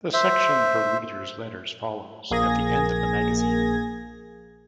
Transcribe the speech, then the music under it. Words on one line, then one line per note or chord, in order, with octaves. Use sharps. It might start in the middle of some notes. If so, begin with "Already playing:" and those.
The section for readers' letters follows, at the end of the magazine.
C5 E5
A#1 A#3 G#4 G#6 A#6